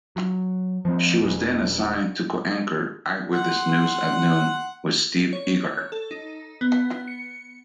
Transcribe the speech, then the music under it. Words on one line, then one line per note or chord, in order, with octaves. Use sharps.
She was then assigned to co-anchor "Eyewitness News at Noon" with Steve Eagar.
F#3
F3 G#3 A#3 C4
D#1 G2 G#3
F#5 C6
C#5
A4
D#4
B3
C#7